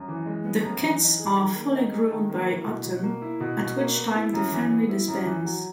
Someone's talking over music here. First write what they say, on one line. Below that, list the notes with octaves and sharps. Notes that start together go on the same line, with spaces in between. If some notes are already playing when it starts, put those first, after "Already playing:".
The kits are fully grown by autumn, at which time the family disbands.
Already playing: F#2
E3
G#3
B3
F#2
E3
D#4
G#4
D#3
A#3
D#4
G#4
D#3
A#3
E4
B2
B2
A#3
E4
B2
B2
A#3
B3
E4
F#2
E3
B3
E4
F#2
E3
F#3